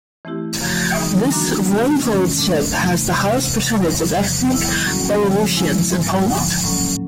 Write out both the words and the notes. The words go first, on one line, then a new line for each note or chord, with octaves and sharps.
This voivodeship has the highest percentage of ethnic Belarusians in Poland.
E3 A3 C4 E4 G4
F#2 C#3 F3 A3
D#3 G3 B3 D#4 G#4
E3 G3 A#3 D4 F#4
B2 G#3 C4
F2 C3 D#3 G#3 C#4
A2 F#3 A3 D4
E2 C3 E3 A3
C3 E3 G#3
D2 C3 E3
E2 C#3 E3 G3 B3
E2 C3 F3
D#3 G3 B3 E4
A2 F#3 A#3 C#4 F#4
C#3 F3 G#3
F3 G#3 C4 E4
G#2 E3 G#3 C4
D#2 D3 F3 G#3
A2 F#3 A#3 C#4